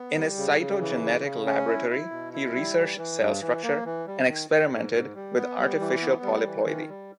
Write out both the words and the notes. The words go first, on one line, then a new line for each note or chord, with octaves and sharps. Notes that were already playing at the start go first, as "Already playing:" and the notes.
In his cytogenetic laboratory, he researched cell structure and experimented with artificial polyploidy.
Already playing: B3
G3
C#3
C#3
E3
C#3
C#3
C#4
E4
E4
B2
E4
G3
E3
E3
G2
E3
A#3
E3
G3
D#3
D#3
G#2
G#2
G3
B3
G3
E3
B3
G3
E3
D#3
G3